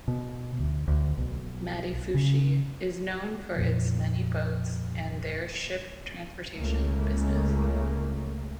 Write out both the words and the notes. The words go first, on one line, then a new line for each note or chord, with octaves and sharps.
Madifushi is known for its many boats and their Ship Transportation Business.
B2
D2
D2
B1
C#3
F2 A#2 F3
C#2 C#3 A3 A#3